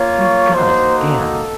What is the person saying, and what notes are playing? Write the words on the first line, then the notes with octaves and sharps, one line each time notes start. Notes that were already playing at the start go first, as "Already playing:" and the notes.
"They've got us again."
Already playing: A#3 F4 C#5
A#3 D#4 F#4 C5
A4